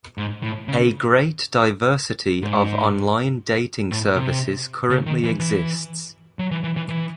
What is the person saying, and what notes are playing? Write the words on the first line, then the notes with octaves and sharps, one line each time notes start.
A great diversity of online dating services currently exists.
G#2
A2
C#3
G#2
A2
C3
C#3
D#3
E3
E3
F#3
E3
E3
E3
E3